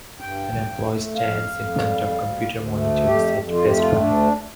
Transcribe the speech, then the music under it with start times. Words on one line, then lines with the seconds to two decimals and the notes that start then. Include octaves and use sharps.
An employee stands in front of computer monitors at Best Buy.
0.20 G2 G5
0.53 G2
0.84 A3
1.16 F2 F5
1.48 F2
1.79 G3
2.11 D2
2.43 D2
2.74 A3
3.06 F2 G4
3.37 F2
3.53 F4
3.66 A3 G4
3.78 F4
4.00 D2 D4